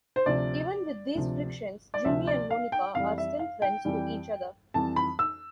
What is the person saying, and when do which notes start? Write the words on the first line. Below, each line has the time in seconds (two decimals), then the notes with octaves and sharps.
Even with these frictions, Jimmy and Monica are still friends to each other.
0.16 C5
0.26 D2 C3 F3 D5
1.15 D2 C3 F3
1.94 D5
2.05 D2 C3 F3 E5
2.27 D5
2.51 F5
2.72 G5
2.95 F2 E3 G3 F5
3.18 E5
3.39 F5
3.62 G5
3.85 F2 E3 G3
4.74 F2 E3 G3 A5
4.96 B5
5.19 E6